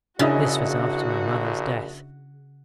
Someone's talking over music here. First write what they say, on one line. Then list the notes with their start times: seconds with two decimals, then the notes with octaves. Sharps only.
This was after my mother's death.
0.19 A#1 C#3 D4 E4 F#4 D#5